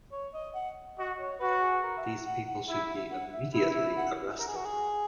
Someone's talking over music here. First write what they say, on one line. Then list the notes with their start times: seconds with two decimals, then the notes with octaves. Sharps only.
These people should be immediately arrested.
0.12 C#5
0.34 D#5
0.55 F#5
0.98 F#4 D#5
1.20 C#5
1.40 F#4 B4
1.62 G#4
1.83 A#4
1.98 E5
2.05 F#5
2.26 F#5
2.48 F#5
2.69 E4 E5
2.91 E5
3.11 F#5
3.33 E5
3.54 E4 E5
3.76 E5
3.97 F#5
4.40 A#4
4.48 G#4
4.56 F#4
4.65 G#4